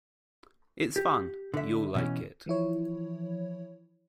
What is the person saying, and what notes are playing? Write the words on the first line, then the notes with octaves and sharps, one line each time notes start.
It's fun; you'll like it.
G4
D3 E5
B2 E3 C#4
E3 F3 E4 C#5